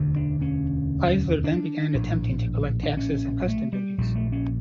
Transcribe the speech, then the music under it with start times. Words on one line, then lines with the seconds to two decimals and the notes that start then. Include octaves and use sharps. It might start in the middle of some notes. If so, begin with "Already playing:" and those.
Leisler then began attempting to collect taxes and customs duties.
Already playing: E1 D2 D3
0.16 D4
0.41 C#4
1.44 D4
1.94 A#1 A2
2.83 D4
2.97 C#4
3.48 A3
3.73 G3
3.98 A#1 A#2 G3
4.15 A3
4.32 C#4